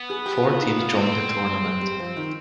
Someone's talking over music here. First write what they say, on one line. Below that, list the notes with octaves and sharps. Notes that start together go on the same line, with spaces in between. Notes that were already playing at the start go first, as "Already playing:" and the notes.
Four teams joined the tournament.
Already playing: B3
G#4
G4
F4
F4
D#4
F4
B3 C4
G#3
G3
F3
D#3